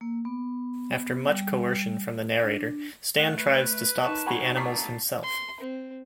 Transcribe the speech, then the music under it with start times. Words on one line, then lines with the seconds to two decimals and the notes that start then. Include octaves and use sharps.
After much coercion from the narrator, Stan tries to stop the animals himself.
0.01 A#3
0.25 B3
1.28 G3
2.43 D4
3.18 A3 F#5
3.38 B4
4.06 D#4 A5 C#6
4.27 D#4 F#4 F#5 G#5 A#5 B5 C#6
4.57 D2 A#2 A5 A#5 C#6 D6 B6 C7
5.23 C6
5.60 C4